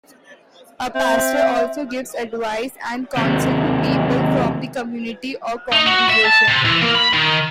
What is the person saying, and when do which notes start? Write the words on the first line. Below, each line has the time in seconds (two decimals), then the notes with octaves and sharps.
A pastor also gives advice and counsel to people from the community or congregation.
0.95 C4 E5
3.17 D#2 C3
5.72 D#4
5.86 F#4
6.10 E5
6.25 A5
6.48 C3
6.65 E3
6.82 A#3
6.95 B5
7.13 D#3